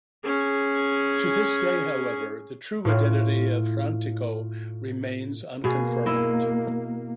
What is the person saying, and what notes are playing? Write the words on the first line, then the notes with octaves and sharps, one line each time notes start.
To this day however, the true identity of Frantico remains unconfirmed.
C#4 G#4
A2 F4
B2 A#3 G#4
E4 D#5